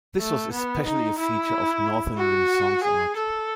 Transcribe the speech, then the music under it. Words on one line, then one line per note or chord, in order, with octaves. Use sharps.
This was especially a feature of Northern Renaissance art.
A3
B3
D#4
E4
F#4
G#4
A4